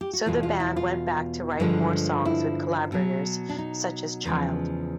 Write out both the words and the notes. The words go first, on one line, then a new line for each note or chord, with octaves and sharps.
So the band went back to write more songs with collaborators such as Child.
G4
F#4
E2 B2 G#3 F4
F4
E4
F4
G2 D3 F3 G#3
E4
B2 F#3
D4
D#4
E2 C#3 F3 G#3